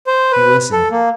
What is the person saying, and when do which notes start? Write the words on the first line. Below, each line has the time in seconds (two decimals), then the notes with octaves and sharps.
He listened.
0.07 C5
0.32 B4
0.72 A4
0.91 A#3